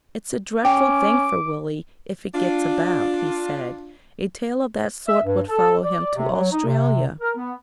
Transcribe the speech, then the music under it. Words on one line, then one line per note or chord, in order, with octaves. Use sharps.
'It's a dreadful thing for Willie, if it gets about,' he said; 'a tale of that sort would follow him to Australia.'
C#4 G5 D6
D4 F4
E5
G2
A4
D5
C3
F#3
D#4
C3
A#4
B3